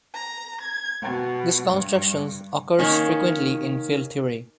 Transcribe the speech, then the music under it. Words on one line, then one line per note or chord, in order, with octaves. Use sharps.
This construction occurs frequently in field theory.
A#5
G#6
B2
G2
D#3 A#3 C#4